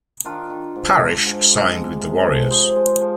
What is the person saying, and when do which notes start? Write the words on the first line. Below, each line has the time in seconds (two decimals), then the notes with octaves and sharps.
Parish signed with the Warriors.
0.25 D#3 D4 F4
0.50 D#3
0.76 G#2
1.00 G#3 D4 F4
1.25 G#2
1.51 G#2
1.75 G#3
2.00 C3
2.26 F3
2.50 C3 G#4 C5
2.76 G#3
3.01 F3